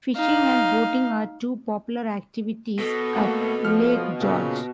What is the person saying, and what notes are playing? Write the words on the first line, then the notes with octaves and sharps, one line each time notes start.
Fishing and boating are two popular activities at Lake George.
D#4 F5
B2 A4
A3 A#3 F#5
F3 F6
A#2 C#3